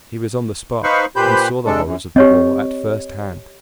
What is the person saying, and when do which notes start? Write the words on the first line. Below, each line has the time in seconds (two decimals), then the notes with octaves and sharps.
He was on the spot, and saw the horrors of the war at first-hand.
0.84 D#4 B4 C5 F5 B5 C#6
1.16 A#2 G4 B4 C5 B5 G6
1.66 C3 G#3 D4 A4
1.85 F#2
2.16 C4 G4 C#5 D#5